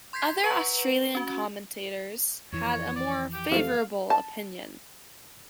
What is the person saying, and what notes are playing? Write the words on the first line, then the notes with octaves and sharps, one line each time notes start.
Other Australian commentators had a more favourable opinion.
C6 G6 G#6 B6 C7
B4 F#5 A#5 C#6 F#7
C#4 F#4
F2 E3 C#5
D5
G4
C3 F3 A3 F5
A5